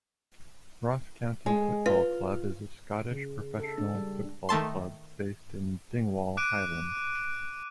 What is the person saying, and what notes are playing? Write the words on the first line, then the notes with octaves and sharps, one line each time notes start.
Ross County Football Club is a Scottish professional football club based in Dingwall, Highland.
G#3
F4 B4
C#3
A4
D4
G3
D#3 A3 A5 C6
D6 F#6 D7 D#7